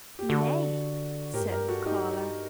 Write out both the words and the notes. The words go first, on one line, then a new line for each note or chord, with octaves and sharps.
"Nay!" said the collar.
G4
D3 F#4 A4
A2 G4 A#4
G2
F#2 G4 A#4
G2
F#4 A4
D#4 G4